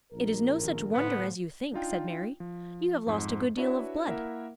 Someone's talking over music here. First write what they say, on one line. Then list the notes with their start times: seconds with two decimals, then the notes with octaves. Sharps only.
"It is no such wonder as you think," said Mary; "you have lost a good deal of blood."
0.12 A#1 A#4
0.59 D#2 A2
0.94 A2 D3 F3 B3 B4
1.73 D4 D#4 F4 G5
2.40 F3
3.07 F2 G#2
3.57 D4 E4 F#4 B4 C#5 E5
4.07 A#3 E4 A#4 E5 F#5